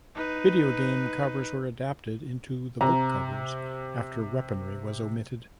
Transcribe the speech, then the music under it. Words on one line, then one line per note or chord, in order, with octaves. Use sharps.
Video game covers were adapted into the book covers after weaponry was omitted.
D#4 B4
C3 A#5